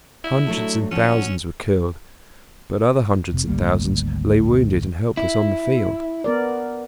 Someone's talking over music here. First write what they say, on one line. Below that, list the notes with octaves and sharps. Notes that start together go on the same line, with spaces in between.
Hundreds and thousands were killed; but other hundreds and thousands lay wounded and helpless on the field.
E4
F#3 A3 D4
F3 C#4 D4 F#4
F1 C3
G#1 D2 G3 A#3
E4
B3 A#4 D5